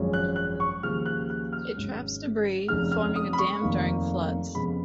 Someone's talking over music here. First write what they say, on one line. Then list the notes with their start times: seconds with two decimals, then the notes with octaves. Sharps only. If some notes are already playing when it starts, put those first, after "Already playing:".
It traps debris, forming a dam during floods.
Already playing: G#1 F#2 F3 G#3 C#4
0.13 F#6
0.36 F#6
0.60 C#6
0.83 D#2 C#3 F3 G#3 F6
1.06 F#6
1.30 F#6
1.53 F6
1.76 G#1 G#2 F#3 C#4
2.68 F1 F2 C#3 G#3 D#4 F6
2.92 F6
3.16 D#6
3.33 B5
3.39 C#6
3.62 F1 F2 D#3 A#3
4.55 F2 C#3 G#3 B3 B5